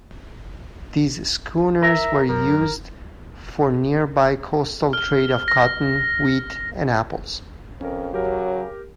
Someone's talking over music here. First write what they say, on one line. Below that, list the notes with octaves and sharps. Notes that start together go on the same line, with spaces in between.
These schooners were used for nearby coastal trade of cotton, wheat and apples.
A#4 E5
F#2 A#4
F6
A#6
F2 C#4 A#4
C#3 F#3 G4 A#4